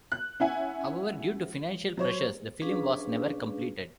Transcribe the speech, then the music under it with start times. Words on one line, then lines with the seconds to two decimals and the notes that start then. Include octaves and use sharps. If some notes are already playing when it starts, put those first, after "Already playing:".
However, due to financial pressures, the film was never completed.
0.12 F#6
0.40 C#4 E4 E5 F#5 G#5
1.97 F#3 C5 C#5
2.62 C#4 D4 G#4 B4 F5